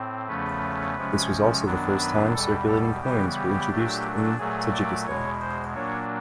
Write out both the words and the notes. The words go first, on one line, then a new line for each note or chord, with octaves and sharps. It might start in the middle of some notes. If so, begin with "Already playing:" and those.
This was also the first time circulating coins were introduced in Tajikistan.
Already playing: A2 C4
E2 C#3 F3 A3 C#4 B4
C3 F3 G#3 C#4
F#2 D#3 F#3 B3 D4
B4
E2 B2 G3 A4
A4
C#3 E3 G3 B3 G4
G4
A#2 F#3 A3 D4
A#2 F#3 A3 G#4
D5
E2 B2 G#3 C#5
C5
A#2 F#3 A#3 D4 C#5